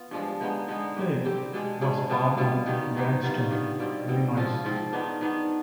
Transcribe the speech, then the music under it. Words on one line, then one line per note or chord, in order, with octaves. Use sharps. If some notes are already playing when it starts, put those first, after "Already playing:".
Hale was born in Evanston, Illinois.
Already playing: B3 F4
G2 F3 G#3 D4
D3 G#3 B3 D#4
D3 G#3 B3 D#4
G3 C4 G4
G3 C4 G4
B2 G#3 D4 G#4
B2 G#3 D4 G#4
B2 G3 B3 F4
B2 G3 B3 F4
D#3 B3 D#4 G4
D#3 B3 D#4 G4
G2 D#3 B3 F4
G2 D#3 B3 F4
B2 G3 C4
B2 G3 C4
G#2 F3 C4 F4
G#2 F3 C4 F4
D#3 B3 D4
D#3 B3 D4